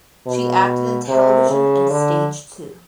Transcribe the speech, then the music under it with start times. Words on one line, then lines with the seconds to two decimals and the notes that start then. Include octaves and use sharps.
She acted in television and stage too.
0.27 B2
1.08 C3
1.49 C#3
1.90 D3